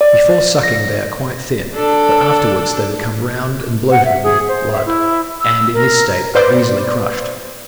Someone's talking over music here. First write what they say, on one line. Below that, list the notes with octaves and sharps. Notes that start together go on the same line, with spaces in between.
Before sucking they are quite thin, but afterwards they become round and bloated with blood, and in this state are easily crushed.
D5
A#6
D4 A4
F#5
E5
G#4
C5
E5
E4
E6
A#4
B4 C5 D5